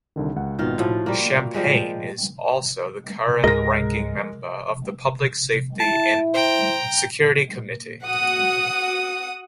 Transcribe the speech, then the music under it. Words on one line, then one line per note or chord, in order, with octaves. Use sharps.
Champagne is also the current Ranking Member of the Public Safety and Security Committee.
C2 D3 D#3
C#2 F#5
G#1 B2 D#3 F4
A2 F3 F4 F#4
G3 A#3
F3 G3 G#3
C#2 G#2 G#3 A#4 D#5 A#6
E4 A5
C5 G5 A#5
F#4 F#5 D#6